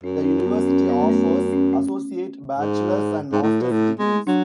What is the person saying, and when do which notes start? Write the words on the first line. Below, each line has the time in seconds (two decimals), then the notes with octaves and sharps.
The university offers associate, bachelor's, and master's degrees.
0.04 F#2 C#4
0.25 C#4
0.46 B3
0.68 C#4
0.89 B3
1.01 A3
1.10 B3
1.31 C#4
1.53 C#4
1.73 C#4
2.58 G#2
3.33 G#2
3.43 A2
3.62 B2
3.71 A2
3.99 G#3
4.27 F#3 D4